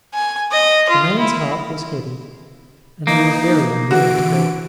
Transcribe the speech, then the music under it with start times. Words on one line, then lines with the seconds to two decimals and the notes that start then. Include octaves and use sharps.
The man's heart was heavy, and he was very unwilling to go.
0.14 G#5
0.51 D#5
0.89 F4
1.19 E4
3.07 E3 A#3 D#4
3.91 D3 E3 F#4 D7